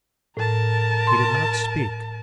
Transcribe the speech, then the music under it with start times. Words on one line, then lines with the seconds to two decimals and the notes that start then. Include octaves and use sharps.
He did not speak.
0.37 A2 A#4 A5
1.07 C6